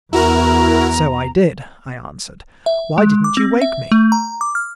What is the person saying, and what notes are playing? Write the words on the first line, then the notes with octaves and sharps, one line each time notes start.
"So I did," I answered; "why didn't you wake me?"
E2 E4 F#4 A#4 A#5
E5
G#3
D6
C4
E5
A3
A#5
D6
F6